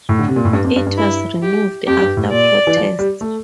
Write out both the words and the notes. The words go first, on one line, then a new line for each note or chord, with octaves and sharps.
It was removed after protests.
A2
D3
C3
A#2
A2
G2
F2
G2
G2
E4
G4
F2 G4
G2
A2
A#2 D5
E3
F3
G3
A3